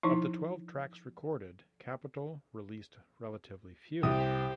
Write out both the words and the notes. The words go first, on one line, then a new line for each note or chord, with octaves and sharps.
Of the twelve tracks recorded, Capitol released relatively few.
F3 D#4 E4
C2 G4 C5 D#6